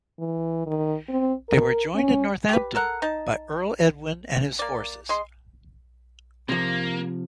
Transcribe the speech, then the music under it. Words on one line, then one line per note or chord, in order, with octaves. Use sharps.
They were joined at Northampton by Earl Edwin and his forces.
E3
D#3
C4
A#4
C#4
G4 B4
A4 A#4 F#5
D#4 A5
A#3 D5
G#3 C6
C3 F3 A#3